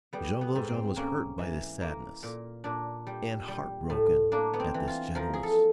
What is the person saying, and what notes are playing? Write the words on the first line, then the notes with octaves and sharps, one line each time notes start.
Jean Valjean was hurt by this sadness, and heart-broken at this gentleness.
G3 B3
B3
G#2
C4
A#3 C#4
E3
A#3
A#2
A#2 D4
G3
G3
A2
A#3 D4
B3
C4
E3
F4
F3 A#4
G#4
A4